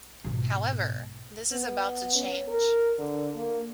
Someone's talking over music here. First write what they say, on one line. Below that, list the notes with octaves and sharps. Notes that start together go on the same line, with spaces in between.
However, this is about to change.
G#2 B2
B3
C#4
A#4
D3
A#3